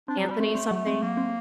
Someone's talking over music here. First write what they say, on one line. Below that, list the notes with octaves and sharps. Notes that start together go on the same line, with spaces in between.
Anthony something,
C4 D4
F#3
F#4
G3
A3 C4
C4
F#3
C4
F#3 A#3
C4